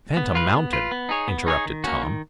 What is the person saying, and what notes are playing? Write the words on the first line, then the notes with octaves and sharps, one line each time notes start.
"Phantom Mountain?" interrupted Tom.
B3
F4 B4
B3
F4 B4
B3
D#4 G#4 C#5
B3
D#4 G#4 C#5
D#3
A#3 C#4 F#4
D#3